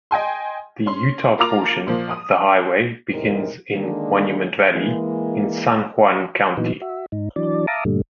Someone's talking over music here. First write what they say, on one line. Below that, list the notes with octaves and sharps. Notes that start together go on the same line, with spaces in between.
The Utah portion of the highway begins in Monument Valley, in San Juan County.
D#5 G5 G#5 C6
C#4 C6
A#3 F4 A5 A#5 D6 F7
A#2 F3 A#3
D#6
E2 A2 C3 G#3 D#4 A#4
D3 D#3 G#3 A#3 D4
E3 G#3 A#3
A#2 E3 F#3 B3 D#4
F#4 E5
G#2 D#4
E3 F#3 D4 D5
E5 F5 A5 A#5 D6 D#6
G2 A#2 D3 G3 A3